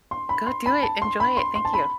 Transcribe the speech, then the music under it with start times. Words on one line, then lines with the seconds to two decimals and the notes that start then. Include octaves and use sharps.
Go do it, enjoy it, thank you.
0.11 C6
0.29 B5
0.47 C6
0.66 B5
0.83 A5
1.02 C6
1.20 B5
1.37 C6
1.55 C6
1.65 A5
1.74 B5